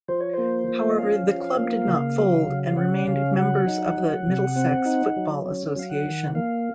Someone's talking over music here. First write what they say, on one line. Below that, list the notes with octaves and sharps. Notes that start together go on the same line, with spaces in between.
However, the club did not fold and remained members of the Middlesex Football Association.
F3 C5
C#5
A#3 C5
F3
D#5
C#4 F5
F3
A#3
C#3
F#3
C#3
F5
C#4 F#5
C#3 F5
F#3 F#5
D#4
F#3
C3
C4
D#4
F#3
C#4
F#3 F5
F#5
D#3
A#3 F5